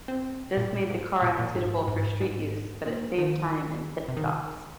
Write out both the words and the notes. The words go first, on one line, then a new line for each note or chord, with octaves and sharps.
This made the car unsuitable for street use, but it saved time in pitstops.
C4
A#2
G#2
A#2
A#2
G#2
G#2
G#2
A#2
D#3
C3
D#3